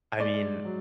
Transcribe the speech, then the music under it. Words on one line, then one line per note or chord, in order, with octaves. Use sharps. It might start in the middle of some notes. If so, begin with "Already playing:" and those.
I mean,
G#2 D5
F#3